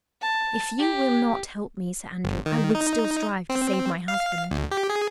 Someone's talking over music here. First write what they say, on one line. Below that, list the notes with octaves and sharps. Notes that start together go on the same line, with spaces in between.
If you will not help me, Sir Andrew, I would still strive to save my husband.
A5
G4
G1
D#3
D#4
C4
F5
D2
G4
G#4